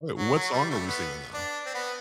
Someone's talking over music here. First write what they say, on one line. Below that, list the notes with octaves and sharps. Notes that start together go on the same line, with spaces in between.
Wait, what song are we singing, though?
F#3
F#3
G3
A3
B3
D4
C4
B3